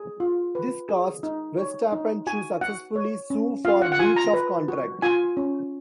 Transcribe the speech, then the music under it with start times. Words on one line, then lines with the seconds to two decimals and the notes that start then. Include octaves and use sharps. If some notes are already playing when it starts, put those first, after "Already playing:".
This caused Verstappen to successfully sue for breach of contract.
Already playing: G#4
0.20 F4
0.55 B4
0.89 G#4
1.23 D#4
1.58 C#5
1.92 D#4
2.27 F#4 G#5
2.61 F#4 F#5
2.96 C#5
3.30 C#4
3.65 F4 F5
3.82 F#5
3.92 F#5
3.99 F4 G#5
4.16 A#5
4.33 B4
4.68 F#4
5.02 F4 G#5
5.37 C#4